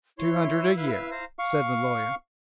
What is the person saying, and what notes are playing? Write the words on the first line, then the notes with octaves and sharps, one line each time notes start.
"Two hundred a year," said the lawyer.
E4 C#5 C6
B4 E5 F5
C5 F5 A#5
F5 C#6